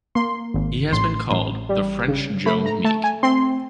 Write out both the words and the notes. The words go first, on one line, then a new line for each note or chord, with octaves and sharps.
He has been called "the French Joe Meek".
A#3 C6
G#1
A1 C6
A1
G3
C#3
A3 B5
A#5
A3 A5
G#5
C4 C6